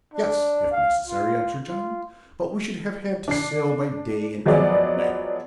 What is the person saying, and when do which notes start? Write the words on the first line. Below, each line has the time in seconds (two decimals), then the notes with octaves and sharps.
"Yes, if necessary," answered John; "but we should have had to sail by day and anchor at night."
0.14 D4
0.71 F5
1.07 F4
1.64 F4
3.28 D4 C7
4.46 F3 F#3 G#3 B3 G#4 D5